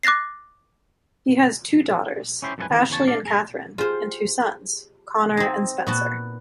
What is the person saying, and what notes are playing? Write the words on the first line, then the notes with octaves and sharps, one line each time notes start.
He has two daughters, Ashleigh and Kathryn and two sons, Connor and Spencer.
D6 F#6 A6 A#6 C7
C#4 E4 G4 C5
F#2 A2 F3 A4 B4 G#5
D#3 E3 A#3 C4
E2 C#3 C#5 A5
D4 D5 F5
G#4 A#5
F4 G4 G#4 C5
C4 D#4
A#2 B3 F#4 A5